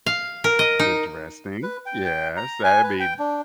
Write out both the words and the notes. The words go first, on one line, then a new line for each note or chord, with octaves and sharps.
Interesting. Yes. That'd be
F5
A#4
D#5
D#4
B4
G5
G5
A#5
G#5
B4
G5
D4